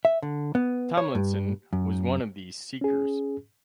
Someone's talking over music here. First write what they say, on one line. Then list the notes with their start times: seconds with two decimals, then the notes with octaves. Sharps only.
Tomlinson was one of these seekers.
0.05 E5
0.22 D3
0.55 B3
0.97 C#5
1.15 G2
1.73 F#2
2.81 C#4 G#4